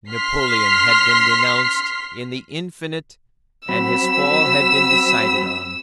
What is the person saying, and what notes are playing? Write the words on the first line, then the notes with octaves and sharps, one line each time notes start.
Napoleon had been denounced in the infinite and his fall had been decided on.
C6 F6 B6 C7
F#3 C4 B5 E6